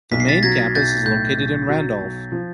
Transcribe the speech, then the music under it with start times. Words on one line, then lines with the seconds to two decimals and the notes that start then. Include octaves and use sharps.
The main campus is located in Randolph.
0.11 B1 B6
0.20 C7
0.28 A6 B6
0.43 F#3 G#6 A#6
0.75 B1 G6 A6
1.06 A2 G6
1.38 B1
1.69 F#3
2.01 B1
2.32 F3